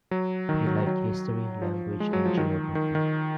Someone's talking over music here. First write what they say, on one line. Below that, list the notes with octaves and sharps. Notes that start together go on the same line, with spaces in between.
He liked history, language and geography.
F#3
D#3
F#3
F#3
F3
G#3
F#3
F3
D#3
D#3
D#3